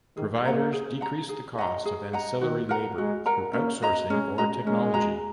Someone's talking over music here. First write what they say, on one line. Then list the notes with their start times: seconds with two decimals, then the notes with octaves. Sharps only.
Providers decreased the cost of ancillary labor through outsourcing or technology.
0.17 D#3 G#4
0.45 A#3 F#5 A#5
0.73 G#4
1.01 F#5 A#5
1.29 G#4
1.58 D#5 F#5 A#5
1.85 G#4
2.13 D#5 F#5 A#5
2.41 D#3 F#4
2.69 A#4 F#5 A#5
2.97 G#3 F#4
3.26 A#4 F#5 A#5
3.53 A#3 C#4
3.82 F#4 D#5 A#5
4.10 G#3 C#4
4.38 G#3 F#4 D#5 A#5
4.66 G#3 C#4
4.94 F#4 D#5 A#5